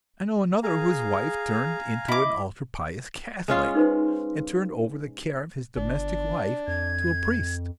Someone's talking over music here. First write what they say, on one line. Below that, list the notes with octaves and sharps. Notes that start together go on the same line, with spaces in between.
I know another whose wife turned into an ultra-pious Catholic, and turned over the care of his domestic life to a priest.
G#4 F5 G#5 A#5
E4 D#5 D6
G#3 C#4 F4
D#4 B4 C5
G1 D4
F2 G#6